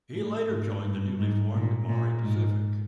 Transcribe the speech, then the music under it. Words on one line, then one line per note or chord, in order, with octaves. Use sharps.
He later joined the newly formed Mauri Pacific.
A2
G#2
G2
G#2
A#2
A#2
G#2